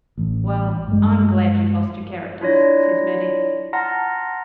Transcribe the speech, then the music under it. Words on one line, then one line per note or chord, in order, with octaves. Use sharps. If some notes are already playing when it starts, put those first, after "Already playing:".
'Well, I'm glad you've lost your characters,' says Maddie.
A1
G2 G#3
D4 E4 F4 C#5 D5 A#6
F#5 A5 A#5 C6 F6 A#6